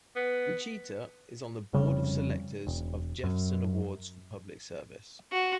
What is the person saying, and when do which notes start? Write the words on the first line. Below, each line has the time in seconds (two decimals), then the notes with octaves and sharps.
Nechita is on the Board of Selectors of Jefferson Awards for Public Service.
0.16 B3
1.73 F1 F2 C#3 G3
2.67 E1
3.24 F#2
5.31 F#4